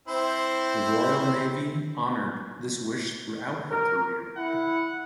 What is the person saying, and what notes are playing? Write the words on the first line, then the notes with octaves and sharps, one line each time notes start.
The Royal Navy honoured this wish throughout her career.
C4 E4 C5
A#4
E4 F#5